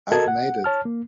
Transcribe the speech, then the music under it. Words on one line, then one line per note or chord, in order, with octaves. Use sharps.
I've made it.
F#4 A4 A#4 D#5 A5 G#6
F#5
C#5 A5 F6
A#3